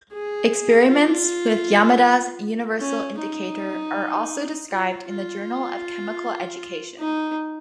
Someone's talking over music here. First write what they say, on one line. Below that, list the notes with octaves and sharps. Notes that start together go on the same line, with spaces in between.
Experiments with Yamada's universal indicator are also described in the "Journal of Chemical Education".
G#4
F4
C#4
D#4
F4
F4
D#4